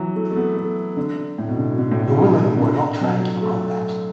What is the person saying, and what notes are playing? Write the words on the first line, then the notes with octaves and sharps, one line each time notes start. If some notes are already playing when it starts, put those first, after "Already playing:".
The women were not trained for combat.
Already playing: E3 F#3
A3
A3
B3
A3
D3
A2
B2
D3
B2
D3
A2
B2
D3
B2
D3
F#3
A3